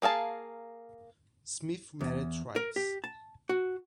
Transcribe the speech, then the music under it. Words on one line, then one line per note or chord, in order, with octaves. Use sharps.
Smith married twice.
A#3 G#4 F5 A5
E2
A#4
G4
A5
F#4